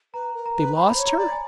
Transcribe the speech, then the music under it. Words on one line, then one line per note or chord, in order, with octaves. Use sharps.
"They lost her?"
B4 A#5
A#4
A#5
B4
C5 B5
C#5
A#5
D5
G#5